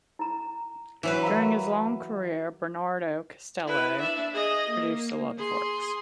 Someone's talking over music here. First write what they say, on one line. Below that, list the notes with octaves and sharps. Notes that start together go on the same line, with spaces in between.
During his long career Bernardo Castello produced a lot of works.
E4 A#5
E3 F#3 B4
A#4 F5 A#5
E4 B4
D4 E5
G#4 D#5
A#3
G#4 C6